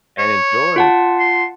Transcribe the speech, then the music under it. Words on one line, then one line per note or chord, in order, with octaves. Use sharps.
And enjoyed.
C#5
F4 F#5 A5
C6